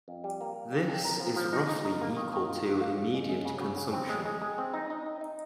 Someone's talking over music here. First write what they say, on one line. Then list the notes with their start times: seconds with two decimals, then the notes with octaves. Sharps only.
This is roughly equal to intermediate consumption.
0.08 F2
0.24 G3
0.41 A#3
0.56 G3
0.73 C#3
0.88 F2
1.04 A#4
1.20 F3
1.36 F3
1.53 D#4
1.69 D#4
1.85 D#4
2.01 A#3
2.17 D#3
2.34 D#3
2.49 F4
2.65 A#3
2.81 F4
2.97 C#3
3.14 G#3
3.29 G#3
3.45 C#3
3.61 C#3
3.77 C#3
3.93 C4
4.09 G#3
4.25 G#3
4.42 G#3
4.58 C4
4.74 D#4
4.90 D#4
5.06 D#4
5.21 D#4